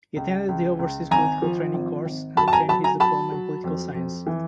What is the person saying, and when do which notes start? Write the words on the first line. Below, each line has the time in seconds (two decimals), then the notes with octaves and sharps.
He attended the Overseas Political Training Course and obtained his Diploma in Political Science.
0.16 C#2
0.49 C#2
0.79 C#2
1.11 G#1 G#5 A#5
1.42 F3
1.74 G#1
2.06 G#1
2.37 F#3 A5 B5
2.48 A5
2.53 G#5 A#5
2.68 F#3 A5 B5
2.84 G#5 A#5
3.00 F#3 A5 B5
3.32 F#3
3.64 F2
3.94 F2
4.27 E3